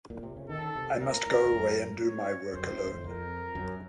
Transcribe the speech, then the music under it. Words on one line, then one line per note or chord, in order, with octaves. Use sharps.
I must go away and do my work alone.
A#2
C3
C#3
D#3 A4
C3
C3
A#2 A#4
A2
F2
F#2
C#5
F#2 C5
A2
F2
F2 A#4
F#2